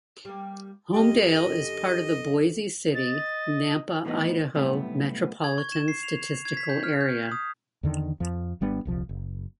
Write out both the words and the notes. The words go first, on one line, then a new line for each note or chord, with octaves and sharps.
Homedale is part of the Boise City-Nampa, Idaho Metropolitan Statistical Area.
G3 A#3
F#2 D3 G4 D#5
D#5 A6
A2 E3 G3 B3 D#4
B1 A2 C3 G3 A3 B3
G#6
C#6
E7
C7
F7
G#6
B6
G6
F6
G6
D#6
E2 D3 D#3
F2 F3
G#1 G3 B3 D4
D#1 C2 F3
F#1